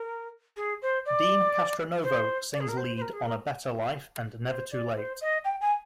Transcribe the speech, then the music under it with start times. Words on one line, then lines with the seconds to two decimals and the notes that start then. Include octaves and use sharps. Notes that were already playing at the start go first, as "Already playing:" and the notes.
Deen Castronovo sings lead on "A Better Life" and "Never Too Late".
Already playing: A#4
0.56 G#4
0.82 C5
1.05 D5
2.03 C5
2.52 D5
2.60 G#4
2.68 A#4
2.77 C5
2.96 C5
3.01 A#4
3.13 G#4
3.26 A#4
4.47 C5
4.71 D5
4.95 C5
5.21 D#5
5.44 G5
5.60 G#5